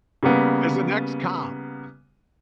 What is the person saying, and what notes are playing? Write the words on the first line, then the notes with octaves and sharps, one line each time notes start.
as an ex-cop,
C#3 G3 A#3 B3